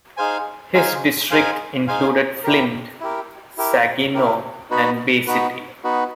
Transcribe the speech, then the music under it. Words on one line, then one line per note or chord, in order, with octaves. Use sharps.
His district included Flint, Saginaw and Bay City.
D#4 G#4 C5 F5 G#5
D#4 G#4 C5 F5 G#5
D#4 G#4 C5 F5 G#5
D#4 G#4 C5 F5 G#5
E4 G4 A#4
E4 G4 A#4
E4 G4 A#4
E4 G4 A#4
B3 D#4 F#4 B4
B3 D#4 F#4 B4
B3 D#4 F#4 B4